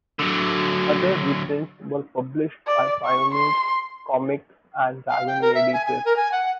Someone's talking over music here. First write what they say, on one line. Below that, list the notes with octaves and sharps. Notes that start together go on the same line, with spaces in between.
Other reprints were published by Pioneer Comics and Dragon Lady Press.
D3 F#3
D5
C#6
C6
F5
G5
A#4
E5
G#5
G#5
A#4
G#5
F#5